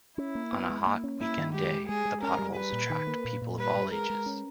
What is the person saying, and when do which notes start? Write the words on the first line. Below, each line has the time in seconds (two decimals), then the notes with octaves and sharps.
On a hot, weekend day, the potholes attract people of all ages.
0.18 C#4 E4
0.35 A#3
0.53 B3
0.69 G#3
0.87 A#3
1.04 C#4
1.20 A#3 E4
1.38 D#3
1.54 G#3 G4
1.72 G#3
1.88 G#3 G#4
2.05 G#3
2.22 C#4 A#4
2.39 G3
2.56 G3 B4
2.73 A#2
2.90 D#3
3.07 A#3
3.25 A#2
3.42 A#2
3.58 G3 B4
3.76 G3
3.92 G#3 A#4
4.10 G#3
4.26 C#4